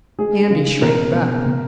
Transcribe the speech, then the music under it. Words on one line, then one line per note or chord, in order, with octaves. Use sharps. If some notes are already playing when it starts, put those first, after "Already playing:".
Andy shrank back.
G#3 G#4
C#3
B2 A#4
B2
B2